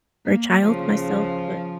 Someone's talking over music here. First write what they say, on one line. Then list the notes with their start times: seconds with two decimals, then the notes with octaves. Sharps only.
or a child myself, but
0.25 A#3
0.61 C#3 F3